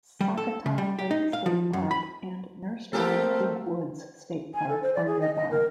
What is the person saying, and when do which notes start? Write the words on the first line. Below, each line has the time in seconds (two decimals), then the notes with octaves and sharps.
Sakatah Lake State Park and Nerstrand-Big Woods State Park are nearby.
0.21 G3
0.37 A4
0.66 C#3
0.78 G3
0.99 G4
1.11 D#4
1.33 F5
1.46 F3
1.73 F#2
1.91 B5
2.93 A3 A#3 C4 G4 A4 A#4
4.54 G#5
4.69 A4
4.82 C5
4.95 D5
5.06 G#4
5.21 D#5
5.35 D#5
5.51 A#4